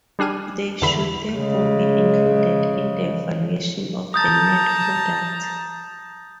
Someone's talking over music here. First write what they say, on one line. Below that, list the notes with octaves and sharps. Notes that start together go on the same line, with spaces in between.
They should therefore be included in the valuation of the net product.
G3 D4 G#4 F6 D#7
E2 D3 E5 B5 B6
C#3 G#3
A5 A#5 D#6 G6 A6